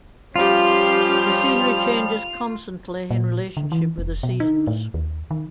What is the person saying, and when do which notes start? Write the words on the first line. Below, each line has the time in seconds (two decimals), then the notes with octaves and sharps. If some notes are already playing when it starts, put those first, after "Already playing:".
The scenery changes constantly in relationship with the seasons.
0.36 F3 G3 C#4 F4 G4 F7
3.10 A#2
3.57 D3
3.72 E3
3.98 F1
4.23 B2
4.40 D#4
4.67 A2
4.94 D#2
5.31 D#3